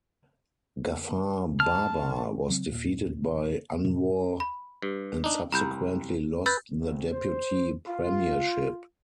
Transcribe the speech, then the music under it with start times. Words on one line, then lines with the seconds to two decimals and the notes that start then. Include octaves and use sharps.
Ghafar Baba was defeated by Anwar and subsequently lost the deputy premiership.
1.60 A5 F6
2.48 C#3 F#3 A#3 C4
2.72 D#2 A#2
3.84 A2 C3 C#4
4.40 B5
4.82 G2
5.24 D4 D#4
5.52 C2 A#5 B5 G6
6.46 B4 E6 G6 A6
6.80 C2
7.11 C5
7.88 F4